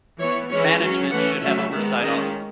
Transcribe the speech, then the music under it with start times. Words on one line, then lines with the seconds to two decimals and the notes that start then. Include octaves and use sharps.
Management should have oversight on
0.19 E3 B3 C#5
0.50 E3 G#3 C#4 C#5
0.80 F#3 C#4
1.11 E3 A3 C#4 F#5
1.40 F#3 A3 C#4 E5
1.71 D#3 G#3 B3
2.02 D#3 G#3 C#4 D#5